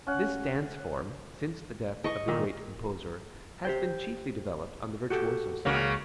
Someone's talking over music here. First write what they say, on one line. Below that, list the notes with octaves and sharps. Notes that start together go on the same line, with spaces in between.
This dance form, since the death of the great composer, has been chiefly developed on the virtuoso side.
C#4 F#5
D#5 C#6
A#2 D#3
G4 C5 G5
F#4 G4 A4
C#2 C#3 A#3 F#4